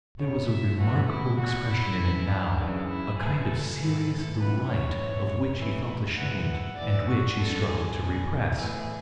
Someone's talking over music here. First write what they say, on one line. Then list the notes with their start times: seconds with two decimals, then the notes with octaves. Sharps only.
There was a remarkable expression in it now; a kind of serious delight of which he felt ashamed, and which he struggled to repress.
0.18 E2 B2 C#5
0.47 E5
0.78 A2 E3 F#4
1.07 E4
1.38 E2 B2 F#4
1.68 E4
1.98 F#2 E3
2.28 D4
2.58 F#2 C#3 E3
2.87 E4
3.18 A2 E3 G#4
3.47 A4
3.78 G#2 E3
4.37 F#2 E3 B4
4.67 C#5
4.97 G#2 E3
5.57 A2 E3
6.16 G#2 E3 F#5
6.76 A2 E3 D5
7.07 F#4
7.36 F#2 D3 A4
7.67 G#4
7.96 E2 B2
8.56 A2 E3 G#4